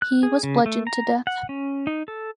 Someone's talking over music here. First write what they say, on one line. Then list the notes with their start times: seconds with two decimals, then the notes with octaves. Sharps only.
He was bludgeoned to death.
0.02 F#6
0.23 G#4
0.43 C#3
0.66 A3
0.87 A#5
1.27 F#5
1.49 C#4
1.87 D#4
2.08 A4